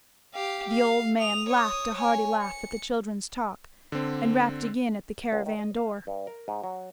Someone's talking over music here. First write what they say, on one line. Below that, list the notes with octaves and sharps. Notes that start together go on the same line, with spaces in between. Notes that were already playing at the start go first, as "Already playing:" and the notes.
The old man laughed a hearty laugh at the children's talk, and rapped again at the caravan door.
G4 F5
F5
D#6 F7
C#5 D#6
C#5 G#5
C#7
D3 C4
C#2
D#3
D#5
F5
G2
A#4
G#2
F#3